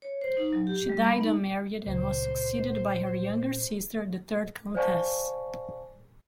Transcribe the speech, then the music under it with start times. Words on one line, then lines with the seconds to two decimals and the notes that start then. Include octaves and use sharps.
She died unmarried and was succeeded by her younger sister, the third Countess.
0.02 C#5
0.21 C5
0.37 D#4
0.53 F#3
0.67 G4
0.89 G3
1.03 B3
1.21 D#4
1.86 C#2 A#2 C5
4.75 C5 D5 F5 G#5 A5 C#6